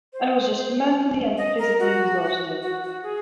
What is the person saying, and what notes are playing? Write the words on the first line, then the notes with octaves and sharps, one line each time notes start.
I was just mentally and physically exhausted.
C5
D#5
A#4
F#4
F#4
F#4
G#4